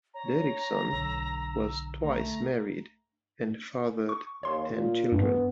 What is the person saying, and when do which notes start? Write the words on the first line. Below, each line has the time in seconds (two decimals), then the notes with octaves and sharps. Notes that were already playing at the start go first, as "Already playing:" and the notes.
Derickson was twice married and fathered ten children.
0.14 C#5 A#5
0.93 B1 D3 E6
2.01 A3 A#5
4.09 C#6
4.43 D#2 C#5 C6
4.73 A#2
5.12 G2 B3